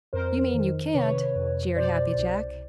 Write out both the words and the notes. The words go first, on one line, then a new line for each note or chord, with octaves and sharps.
"You mean you can't!" jeered Happy Jack.
F2 A#4 C5
D#3
C3 B4 C#5
F2
B2 C5 D5
C2